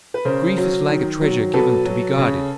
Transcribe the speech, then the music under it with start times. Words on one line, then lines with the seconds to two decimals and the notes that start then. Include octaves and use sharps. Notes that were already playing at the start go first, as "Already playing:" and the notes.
Grief is like a treasure given to be guarded.
0.14 B4
0.25 C#3 A#4 C5
0.58 F#3
0.89 D#3
1.21 F#3
1.54 B2 A4 B4
1.85 F#3
2.18 C#3